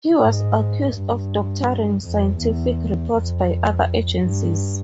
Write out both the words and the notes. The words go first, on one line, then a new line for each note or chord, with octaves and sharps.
He was accused of doctoring scientific reports by other agencies.
G#2
G2
F2
E2
F2
G2